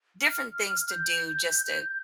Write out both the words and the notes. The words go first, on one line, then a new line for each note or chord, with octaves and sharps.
different things to do just to
F6
G6